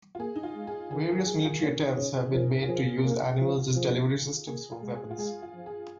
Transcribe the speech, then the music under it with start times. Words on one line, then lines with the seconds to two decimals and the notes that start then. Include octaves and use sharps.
Various military attempts have been made to use animals as delivery systems for weapons.
0.15 F4
0.19 A#3 G#4
0.36 D#4
0.43 F4
0.55 G#3
0.67 G#4
0.91 D#3 G#4
1.09 A#4
1.26 G#4
1.45 F4
1.62 A#2 C#4
1.80 D#4
1.97 C#3
2.16 G#4
2.33 F3 A#4
2.63 F4
2.69 F3 G#4
3.05 A#3 G#4
3.23 F4
3.41 F3 D#4
3.58 F4
3.76 F3 G#4
4.47 A#3 G#4
4.71 F4
4.83 G#3
4.95 G#4
5.11 F4
5.18 G#3 G#4
5.42 F4
5.55 F3
5.66 G#4